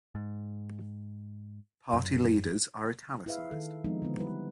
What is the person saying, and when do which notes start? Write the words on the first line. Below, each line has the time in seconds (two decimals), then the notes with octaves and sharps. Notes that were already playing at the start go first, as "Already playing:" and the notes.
Party leaders are italicized.
0.15 G#2
1.93 F#2
3.26 E4 G#4 B4 E5 F5
3.51 D#3 A4
3.84 F3 G#3 B3 C4 D#4
4.02 D3 G#3 B3
4.18 G3 E4 B4